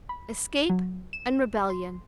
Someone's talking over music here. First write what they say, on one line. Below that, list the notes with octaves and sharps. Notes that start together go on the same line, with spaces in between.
Escape and rebellion.
B5
F#3
E7
C6